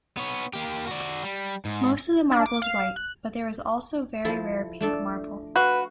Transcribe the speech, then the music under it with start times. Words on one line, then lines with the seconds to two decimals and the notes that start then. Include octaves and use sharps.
Most of the marble is white, but there is also very rare pink marble.
0.17 B3 C#5
0.53 A#3 G4
0.87 F#4 D5
1.23 G3
1.65 G#2
2.31 D4
2.46 D6
2.62 F5
2.96 F#6
4.25 F3 E4 A4
4.81 A3 D4 A4
5.56 F#4 B4 F5